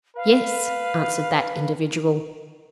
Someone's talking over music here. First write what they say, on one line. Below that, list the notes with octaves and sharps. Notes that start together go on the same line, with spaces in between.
"Yes," answered that individual.
B4 F5